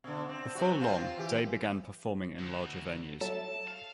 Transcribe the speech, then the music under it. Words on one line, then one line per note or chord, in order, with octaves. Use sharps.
Before long, Day began performing in larger venues.
B2 D3
C4
C3 F#4
C4 F4 C5
E3 G4
D2
F#3 A4 E5 A5
F5